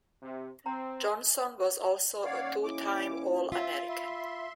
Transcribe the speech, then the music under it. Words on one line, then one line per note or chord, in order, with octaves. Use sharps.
Johnson was also a two time All-American.
C3
C4 C5 G5 A#5
D#3 A#3 C#4 C#5 D5 F5 F#5
E4 D6
F4 E5
E5 B5 C6